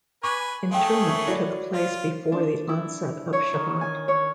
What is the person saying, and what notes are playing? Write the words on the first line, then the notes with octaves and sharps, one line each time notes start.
Interment took place before the onset of Shabbat.
B4 G#5 C#6 D6
A3 C#4 G#4 F5 G5
A#4 E5 C#6
F#3 E4 D5
F4 C5
D4
E4
C#5
D#3
G#5
C#5